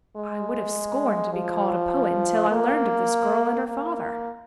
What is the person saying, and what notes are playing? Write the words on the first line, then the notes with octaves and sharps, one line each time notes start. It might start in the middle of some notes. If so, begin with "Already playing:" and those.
I would have scorned to be called a poet until I learned of this girl and her father.
G#3
F3
A#3
A#3